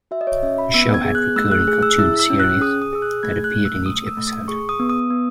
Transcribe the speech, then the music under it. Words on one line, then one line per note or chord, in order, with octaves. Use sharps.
The show had recurring cartoon series that appeared in each episode.
F#4 E5
D#5
C#5
C#4 E5
B5
B3 E6
G#6
G#4
F#6
A3 E6
F#6
G#4 F#6
E6
E4 E6
E6
C#4
F#6
G#4 D#6
D#6
G#4 E6
F#6
A3 G#6
F#6
A3
E6
A3 D#6
E6
A3
D#6
G#4 C#6
D#6
B3
D#6
B3